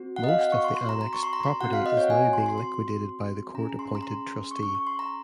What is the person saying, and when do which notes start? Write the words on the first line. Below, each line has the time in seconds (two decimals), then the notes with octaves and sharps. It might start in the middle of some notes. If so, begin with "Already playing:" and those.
Most of the annexed property is now being liquidated by the court appointed trustee.
Already playing: C4 F#4
0.16 F#5
0.24 D#5
0.29 F5
0.41 F#5
0.52 C#6
0.64 C6
0.76 C6
0.89 A#5
1.01 A#5
1.13 C#6
1.23 C6
1.33 A#5
1.43 C6
1.61 C4 F#4 F#5
1.73 F5
1.86 D#5
1.97 C#5
2.04 F#5
2.10 G#5
2.33 C6
2.46 C6
2.58 C6
3.54 C#4 G#4 A#5
3.79 C6
3.95 A#5
4.03 C6
4.51 C#6
4.63 C#6
4.75 C#6
4.87 C6
4.99 A#5